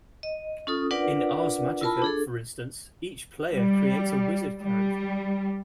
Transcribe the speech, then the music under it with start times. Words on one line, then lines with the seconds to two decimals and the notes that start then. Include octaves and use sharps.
In Ars Magica, for instance, each player creates a Wizard character.
0.23 D#5
0.67 C#4 F4 A4 D#6
0.91 D4 F4 A#4 B4 D5 F#5
1.81 E4 F4 A#4 A5 B5
2.02 D4 G#4 A4
3.52 G3
4.61 G3